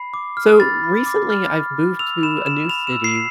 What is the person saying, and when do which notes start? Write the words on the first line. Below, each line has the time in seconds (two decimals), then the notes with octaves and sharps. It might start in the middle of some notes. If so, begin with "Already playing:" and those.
So, recently I've moved to a new city,
Already playing: B5 C7
0.14 D6
0.37 F6
0.60 B5 A6
0.83 B5
1.06 D6
1.30 F6
1.53 B5
1.77 B5
1.99 E6 F7
2.23 B5 E7
2.46 E6 E7
2.69 B5 F7
2.87 E7
2.93 E6
3.04 C7